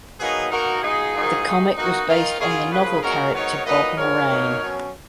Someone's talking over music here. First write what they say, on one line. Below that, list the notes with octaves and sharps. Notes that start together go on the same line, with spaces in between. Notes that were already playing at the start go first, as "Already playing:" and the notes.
The comic was based on the novel character Bob Morane.
B2 F#3 A#3 D#4 G#4 B4
B2 A#3 D#4 F#4 A#4
B2 G#3 D#4 F4 G#4
G#2 D#3 F#3 A#3 D#4
D#3 G#3 D#4
B2 A#3 D#4 F#4
D#3 A#3 D#4 F4
C#3 F#3 A#3 C#4 F4 G#4
C#3 F3 A#3 G#4 B4
A#2 G#3 C#4 F#4 A#4
G#2 F#3 B3 D#4 A#4 C#5
A#2 F#3 A#3 D#4 B4 D#5
G#2 F3 G#3 A#4 C#5
B2 A#3 D#4
B2 F#3 C#4